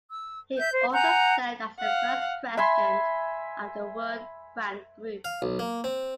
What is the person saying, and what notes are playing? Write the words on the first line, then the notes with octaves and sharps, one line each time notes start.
He also served as the first President of the World Bank Group.
E6
E5 G6
C5
F#5 G#5 A#5 G6
F5 F#5
E5 G#5 B5 C6
F5
B1
A#3
C4